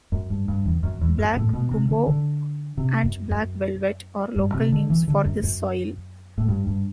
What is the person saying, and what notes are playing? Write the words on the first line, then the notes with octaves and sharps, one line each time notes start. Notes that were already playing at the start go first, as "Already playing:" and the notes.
"Black Gumbo" and "Black Velvet" are local names for this soil.
F#2
G2
G2
E2
F#2
E2
F#2
A2
B2
C3
D3
D3
C3
F#2
F#2
G2
C3
D3
E3
D3
F#2
F#2
A2
G2
G2